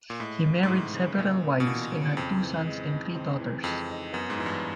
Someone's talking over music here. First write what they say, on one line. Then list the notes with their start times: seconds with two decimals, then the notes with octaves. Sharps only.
He married several wives and had two sons and three daughters.
0.10 A#2
0.20 A2 G#3
0.44 C#3
0.63 G#2
0.68 A2 E3
0.93 C#3
1.18 A#2 G#3
1.42 C#3
1.60 B2
1.67 A#2 E3
1.92 C#3
2.17 F2 C4
2.41 E3
2.66 G#3
2.90 D#4
3.15 C4
3.40 E3
3.64 F2 G#3
3.89 D#4
4.13 F#2 B3
4.30 G#2
4.38 F#2 E3
4.46 G2